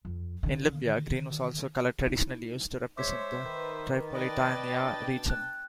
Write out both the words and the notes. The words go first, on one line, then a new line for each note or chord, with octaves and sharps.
In Libya, green was also a colour traditionally used to represent the Tripolitania region.
F2
D3 D#3
D#4 E4
G#3 C5 C#5 E5 D6 B6
D#3 B4
B4 D5 D#5 G5 A5 A6
B2 D4
F#6